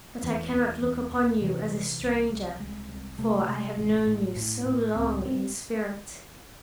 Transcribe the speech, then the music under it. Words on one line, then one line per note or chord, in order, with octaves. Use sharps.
"But I cannot look upon you as a stranger, for I have known you so long--in spirit!"
E2 E3
E2
E2
E1
C3 E3
C3
C2
C2
C2 G#3
C2
C3 A3
C3
A1
A2
A2
A2
C#2 C4
C4